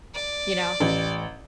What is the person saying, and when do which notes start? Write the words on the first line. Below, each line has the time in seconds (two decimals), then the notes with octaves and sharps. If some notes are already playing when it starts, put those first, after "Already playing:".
you know
0.15 D5
0.80 A1